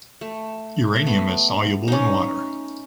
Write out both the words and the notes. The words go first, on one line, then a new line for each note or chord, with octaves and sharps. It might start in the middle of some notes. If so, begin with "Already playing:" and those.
Uranium is soluble in water.
A3
A3
B3
C#4 D#4